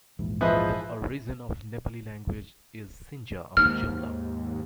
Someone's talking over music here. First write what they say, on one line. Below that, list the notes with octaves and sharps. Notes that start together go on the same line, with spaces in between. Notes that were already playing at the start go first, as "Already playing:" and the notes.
The origin of Nepali language is Sinja of Jumla.
A#1 E2 G#2
F3 E4 G#4 B4 C5 D#5
D#2 G#2 F6